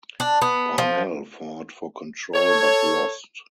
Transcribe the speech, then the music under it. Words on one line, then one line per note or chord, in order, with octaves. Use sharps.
Parnell fought for control, but lost.
D4
B3
F3
A4 C#5